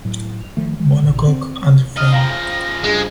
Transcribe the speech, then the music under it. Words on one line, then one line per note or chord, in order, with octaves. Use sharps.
Monocoque underframe.
A2 F#3
D#3 F3 A3
G#3
A1 A#2
C4
G2 D#5 F6
C#3 F3 F5 G5 A#5 A#6
G2 G#3 G#4